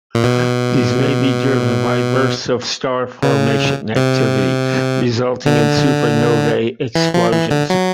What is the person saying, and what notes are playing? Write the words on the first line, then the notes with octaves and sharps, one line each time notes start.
These may be driven by bursts of star formation activity, resulting in supernovae explosions.
A#2
B2
C#3
C3
D3
E3
F3
E3
D3
F#3